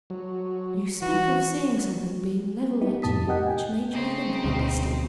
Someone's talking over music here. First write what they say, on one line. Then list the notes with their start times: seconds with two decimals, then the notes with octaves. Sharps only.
"You speak of seeing something being leveled at you which made you think of a pistol."
0.10 F#3
1.02 E3 F#4
2.81 B3 D#4 E4 G4
3.02 F2 A2 C3 A5 D#6 B6
3.27 G4 A#4 D#5 F#5 G5
3.47 G5 G#5
3.92 C#3 C4 D#4
4.45 D2 B2